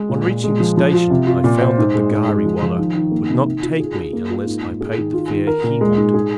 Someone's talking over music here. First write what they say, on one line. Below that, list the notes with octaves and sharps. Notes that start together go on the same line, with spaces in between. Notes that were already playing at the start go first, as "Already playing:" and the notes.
On reaching the station I found that the ghari-wala would not take me unless I paid the fare he wanted.
Already playing: G#3
A#2
A#2
G#3
F3
F3
F4
C3
F4
A#2
C5
G#2
G#3
G#2
G#3
F3
F3
D#3
D#3
A#3
C3
D#3
F4
G#4
G#4
A#3
F4
G#2
G#2
G#4
D#3
F4
D#3
A#4
A#2
G#3
G#2
G#4